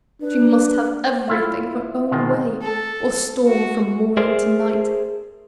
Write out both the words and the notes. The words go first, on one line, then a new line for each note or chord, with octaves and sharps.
She must have everything her own way, or storm from morning to night.
D4 B4
E4 F4 E5
B2 D#3 G#3 F4
A4
F#4
G#4 A#4 C5 D5 E5